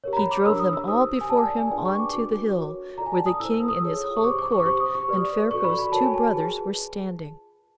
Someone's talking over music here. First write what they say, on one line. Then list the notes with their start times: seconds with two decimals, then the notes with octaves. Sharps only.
He drove them all before him on to the hill, where the King and his whole Court and Ferko's two brothers were standing.
0.04 G4 A#4 C#5
0.13 A#5
0.17 B5
0.31 D6
0.46 D4 G4 A#4 C#5 E6
0.59 D#6
0.73 E6
0.88 D#4 G4 C5 D#6
1.01 E6
1.21 G#5
1.29 G4 A#4 D5 A5
1.43 G#5
1.58 G#5
1.71 D4 F4 G#4 B4 D5 G5
1.85 C#6
2.00 D6
2.13 D4 F#4 B4 D6
2.56 F#4 A#4 C#5
2.98 F4 A4 D5 A#5
3.06 G#5
3.12 A5
3.26 D#6
3.40 E4 A4 C5 E6
3.54 E6
3.68 D#6
3.82 F4 G#4 C#5
4.17 C#6
4.24 G4 C5 D6
4.39 D6
4.52 C#6
4.60 D6
4.66 G4 C5 C#6
4.80 D#6
4.94 C#6
5.08 G4 B4 D5
5.50 F#4 A4 D5 C#6
5.64 B5
5.79 B5
5.92 F#4 A#4 C#5 A5
6.03 G#5
6.14 A5
6.35 F4 G#4 B4